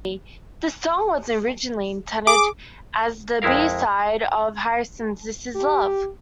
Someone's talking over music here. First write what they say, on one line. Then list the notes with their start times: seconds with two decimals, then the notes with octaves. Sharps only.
The song was originally intended as the B-side of Harrison's "This Is Love".
2.27 G#4 D6
3.42 F2 G#3 E4 A#4 F5
5.55 G4